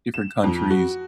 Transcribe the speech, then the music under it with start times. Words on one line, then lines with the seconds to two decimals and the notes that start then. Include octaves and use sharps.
different countries,
0.14 E7
0.44 F2
0.70 F#4